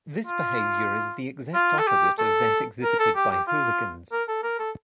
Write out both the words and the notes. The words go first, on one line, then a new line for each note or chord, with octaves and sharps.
This behavior is the exact opposite of that exhibited by hooligans.
F4
F4
A4
G4
A4
A#4
A4
G4
G4
F4
A#4
A4
A#4
A4